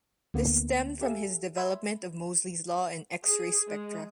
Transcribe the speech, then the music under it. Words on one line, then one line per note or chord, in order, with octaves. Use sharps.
This stemmed from his development of Moseley's law in X-ray spectra.
D2 D3 A#3 B3
G4 A4 E5 F5 G#5
E5 B5 C6 E6 G#6
G#4
G#3